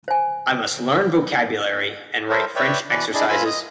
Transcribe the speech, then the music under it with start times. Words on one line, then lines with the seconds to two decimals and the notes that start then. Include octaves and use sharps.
I must learn vocabulary, and write French exercises.
0.08 C5 G#5
2.29 G3 A4 A#4 C5 E5
2.55 B4 C#5 D5 E5 G5
2.90 B2 E3 B4 D5
3.14 D4 E4 G#4 D5 D#5
3.29 G2 F4 G#5 B5 E6
3.46 D#5 D#6